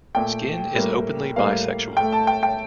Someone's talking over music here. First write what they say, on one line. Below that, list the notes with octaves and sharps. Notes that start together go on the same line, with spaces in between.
Skin is openly bisexual.
A#2 A3 G5
A2 G3 A#3
A2 G3 A#3 F5
A2 A3 G5
A5
G5
G5